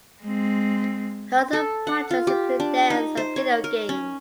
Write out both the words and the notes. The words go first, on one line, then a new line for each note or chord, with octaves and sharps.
Her other projects include dance and video games.
G#3 C4
A4
F#5
F4
G4
D4
D#4
C5
C#5
A#4
C#4